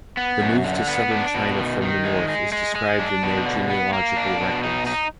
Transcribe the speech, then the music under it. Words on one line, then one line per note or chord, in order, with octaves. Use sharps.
The move to southern China from the north is described in their genealogical records.
B3
F#2
D3
B3
D4
B2
D#3
D#3
G#3
G#3
G#3
G#3
D4
B2
D3
B3
A#3
D4
B2
D#4
D#4